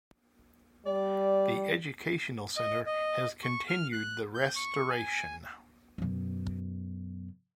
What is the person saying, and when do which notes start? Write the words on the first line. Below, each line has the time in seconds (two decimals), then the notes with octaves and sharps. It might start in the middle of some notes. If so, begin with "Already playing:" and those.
The educational center has continued the restoration.
0.86 G3 D5
2.57 D#5
2.86 D#5
3.44 C#6
3.68 F6
3.92 F#6
4.35 G6
4.56 C#6
4.90 G#5
5.98 F#2 B2